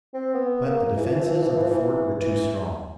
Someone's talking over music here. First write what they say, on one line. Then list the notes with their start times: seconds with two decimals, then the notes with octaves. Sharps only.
But the defenses of the fort were too strong.
0.14 C4
0.34 B3
0.66 A#3
0.96 E3
1.04 F3
1.12 E3
1.19 F3
1.26 E3
1.34 F3
1.41 E3
1.50 F3
1.57 E3
1.64 F3
1.71 E3
2.21 E3